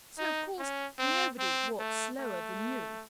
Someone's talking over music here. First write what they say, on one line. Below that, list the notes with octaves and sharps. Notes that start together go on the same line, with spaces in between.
So of course Nobody walks slower than you.'
D#4
C#4
C4
C4
A3
A3